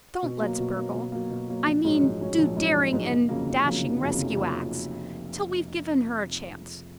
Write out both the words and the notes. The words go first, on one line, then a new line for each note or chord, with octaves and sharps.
'Don't let's burgle--I mean do daring and dashing rescue acts--till we've given her a chance.
B2
F#3 A#3
B2
F#3 A#3
B2
F#3 A#3
B2
F#3 A#3
A#1
G#2 F#3 C#4
A#1
G#2 F#3 C#4
A#1
G#2 F#3 C#4
A#1
G#2 F#3 C#4
F1
F2 C#3 F#3 A#3
F1
F2 C#3 F#3 A#3
F1
F2 C#3 F#3 A#3
F1
F2 C#3 F#3 A#3